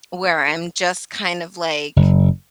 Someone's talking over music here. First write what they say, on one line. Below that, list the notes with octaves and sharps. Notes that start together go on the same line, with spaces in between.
where I'm just kind of, like
F#1